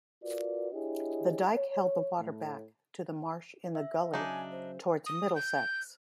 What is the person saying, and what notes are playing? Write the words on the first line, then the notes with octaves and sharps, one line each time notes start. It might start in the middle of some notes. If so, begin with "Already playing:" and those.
The dike held the water back to the marsh in the gully towards Middlesex.
F4 F#4 A#4 B4 D5
D4 E4 G4 G#4 C#5 D#5
C#5
A2
E5
C#3 F#3 D4 D#4 G#5
C5
D#6
G6